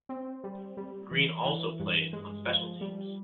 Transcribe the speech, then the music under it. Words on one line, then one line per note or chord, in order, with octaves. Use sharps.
Green also played on special teams.
C4
G3
G3
E3
E3
G2
G#3
F3
G3